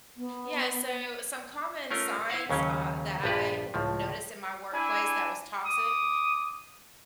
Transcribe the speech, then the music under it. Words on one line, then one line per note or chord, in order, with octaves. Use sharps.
Yeah, so some common signs, uh, that I noticed in my workplace that was toxic
B3
A3 C#4 F4 A#4
E4 C5 F5 F#5
D#2 C#3 F#3 C#4 C#5
A#1 G2 B3 G4 B4 D5
C#2 A2 F3
D4 E4 G#5
D6 D#6